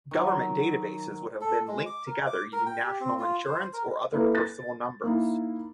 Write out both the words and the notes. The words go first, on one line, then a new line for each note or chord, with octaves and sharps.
Government databases would have been linked together using National Insurance or other personal numbers.
D#3 F#3
A4
G#3
D6
A#4
D6
A#4
G5
G4
C4
F4
C5
A#4
A#3 E4 A4 B4
A6
A#3 D#4 E4